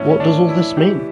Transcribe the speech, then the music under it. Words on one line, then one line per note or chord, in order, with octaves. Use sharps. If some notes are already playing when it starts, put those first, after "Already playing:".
What does all this mean?
Already playing: A2 C#4
C#4
A2 D4
E3 E4
E3 G4